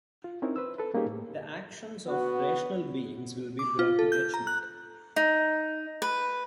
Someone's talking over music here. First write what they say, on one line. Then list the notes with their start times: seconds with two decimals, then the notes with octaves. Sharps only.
The actions of rational beings will be brought to judgment.
0.24 F4
0.42 C4 C#4 D#4 E4 A#4
0.56 B4 C5 E6
0.78 A4 B4
0.94 G3 A#3 C#4 D#4 G4 G#4
1.06 A2
2.07 B3 F#4
3.59 D6
3.79 F4
3.99 A4
4.12 G6
4.34 A#5
4.47 F#6
5.16 D#4
6.02 B4